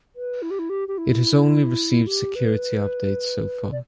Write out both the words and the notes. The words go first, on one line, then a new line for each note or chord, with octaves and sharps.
It has only received security updates so far.
B4
E4
G4
E4
G4
G4
E4
G4
B4
D5